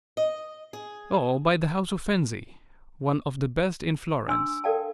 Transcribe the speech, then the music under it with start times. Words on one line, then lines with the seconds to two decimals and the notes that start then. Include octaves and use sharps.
"Oh, by the house of Fenzi, one of the best in Florence."
0.17 D#5
0.73 G#4
4.28 D4 G#5 C6 E6
4.64 A4 A#4 D5 F5 G5 A5